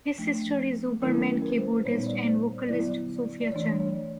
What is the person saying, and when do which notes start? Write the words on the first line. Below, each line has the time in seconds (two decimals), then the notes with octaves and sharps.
His sister is Ooberman keyboardist and vocalist Sophia Churney.
0.18 F3 A3 D4
1.02 D#3 F#3 A3 C#4 E4 A#4
1.30 B4
1.42 A#4
1.50 B4
1.58 C5
1.85 A#2 G3 B3 D#4 C#5
2.07 D5
2.27 C5
2.69 D3 F#3 B3 E4 D5
3.41 D5
3.52 E3 A3 D4 C#5
3.80 C#5